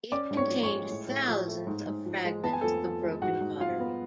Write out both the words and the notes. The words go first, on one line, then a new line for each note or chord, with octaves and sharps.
It contained thousands of fragments of broken pottery.
C#4 D5 D6
G#2
C#5 C#6
F3
C#5 C#6
G#3
A2
A2
F3
A3
G#2
G#2
F3
G#3
B3 A5
G#5
F2 A4 A5
F3
G#3
G#2 F#4 F#5
G#2
F3 F4 F5
B3